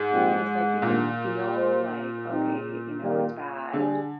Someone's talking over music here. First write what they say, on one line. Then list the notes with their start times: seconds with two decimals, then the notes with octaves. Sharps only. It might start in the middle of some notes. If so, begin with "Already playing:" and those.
Because, like, you can feel, like, okay, you know, it's bad.
Already playing: G#2
0.10 A#2 F3 C4 D#4 G4
0.82 A#2 D#3 G3 A#3 D4
1.55 A#3 F4 C5
2.28 G3 C4 D#4
3.00 D#3 G3 A#3
3.73 D3 G3 D4 G#4